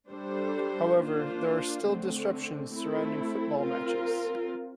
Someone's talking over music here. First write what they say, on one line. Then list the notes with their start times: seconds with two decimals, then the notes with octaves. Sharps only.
However, there are still disruptions surrounding football matches.
0.10 G3 D4 A4 C5
0.99 A#3 D4 F4 C5
1.86 D3 A3 C4
2.73 A3 C4 E4 A4
3.60 C4 F4 A#4